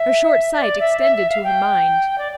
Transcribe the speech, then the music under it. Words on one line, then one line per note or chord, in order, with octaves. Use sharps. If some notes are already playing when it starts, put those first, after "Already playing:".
Her short sight extended to her mind.
Already playing: E5
D5
E5
E5
E5
F5
G5
D5